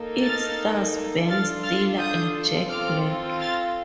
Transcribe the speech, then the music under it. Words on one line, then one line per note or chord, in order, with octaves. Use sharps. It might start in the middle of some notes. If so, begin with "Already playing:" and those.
It stars Ben Stiller and Jack Black.
Already playing: A#3 D#4 A4
F6 A6
D4 F4 A4 F6 A6
F6 A6
D#6 G6
C4 F4 A4 D6 F6
F6 A6